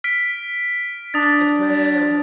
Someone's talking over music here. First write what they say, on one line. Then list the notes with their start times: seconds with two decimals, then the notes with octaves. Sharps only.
Yes, ma'am.
0.04 F6 B6 D7
1.14 D4 D#6 A6